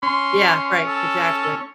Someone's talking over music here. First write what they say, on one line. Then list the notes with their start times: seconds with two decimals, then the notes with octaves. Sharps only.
Yeah, right, exactly.
0.03 C#4 C6
0.86 A4